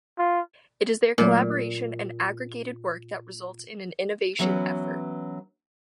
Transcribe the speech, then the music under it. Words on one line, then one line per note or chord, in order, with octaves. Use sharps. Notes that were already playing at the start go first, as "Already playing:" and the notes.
It is their collaboration and aggregated work that results in an innovation effort.
F4
A#2 F#3 A3 A#3
E3 F#3 B3 C#4